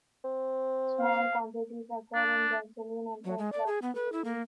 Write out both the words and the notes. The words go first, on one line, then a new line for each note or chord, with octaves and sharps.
Small quantities occur in gasoline and aircraft fuels.
C4
F5
D4
F#3
G#3
D5
G#4
B3
B4
E4
A#3